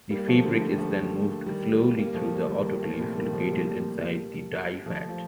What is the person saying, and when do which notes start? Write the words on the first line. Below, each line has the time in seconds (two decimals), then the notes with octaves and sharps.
The fabric is then moved slowly through the autoclave located inside the dye vat.
0.11 G3 A#3
0.28 F3 A3
0.45 D3 F3
0.61 A3
0.70 G3
0.78 F3 A3
1.46 D#3 G3
1.80 A#3
1.99 G3 A#3
2.15 F3 A3
2.48 D#3 G3
2.82 F3 A3
2.93 A#2
2.99 A2 C3
3.16 D#3 G3
3.33 F3 A3
3.50 G3 A#3
4.86 F3 A3
5.09 F3